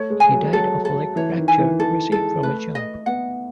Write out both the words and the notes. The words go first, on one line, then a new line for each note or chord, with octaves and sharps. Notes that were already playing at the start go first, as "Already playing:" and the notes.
He died of a leg fracture received from a jump.
Already playing: A3 C#5
G#3
G#5
F#3
G#3
F#3 A4
A4
E3 C#5
D#3
G#5
E3
E3 A4
G#3 A4
A3 B4
D#5
B3 F#5